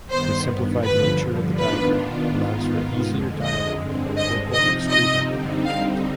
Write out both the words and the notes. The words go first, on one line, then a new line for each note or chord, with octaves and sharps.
The simplified nature of the diagram allows for easier dialog about local excreta management.
G2 D#3 B3 C5
G2 D3 F3 B4
D#3 B3 D4 F4 B4
G#2 D#3 B3 F4
F2 D3 G#3
D#5
G2 D3 G#3 C4
D#5
C3 F3 C4 D#4 D#5
D#5
D3 G3 C4 D#4
F5